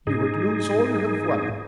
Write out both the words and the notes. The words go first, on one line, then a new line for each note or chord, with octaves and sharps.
You would lose all you have won.
G#2 D#4 G#4